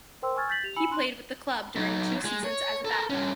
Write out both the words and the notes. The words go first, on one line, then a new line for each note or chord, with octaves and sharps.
He played with the club during two seasons, as a backup.
A#4 C5 G5 C6 E6
G#5 C#6 E6 F6 G#6 A6
G6 A6 B6 F#7
G4 F7
E4 G#5 B5 E6 C#7 F#7
D4 D#4 C6 F#6 F#7
F#3 D#4
G#3
C#5
A4 A#4
G2 C#4